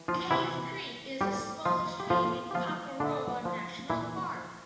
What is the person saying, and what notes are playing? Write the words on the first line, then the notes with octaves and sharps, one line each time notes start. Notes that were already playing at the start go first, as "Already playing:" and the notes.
Cave Creek is a small stream in Paparoa National Park.
Already playing: E3
F3 F4
C3 E3 E4
E3
A2 G3 G4
F3 F4
G4
A2 F3 F4
G4
F3 F4
A#2 D3 D4
F3
A#2 E3 E4
F3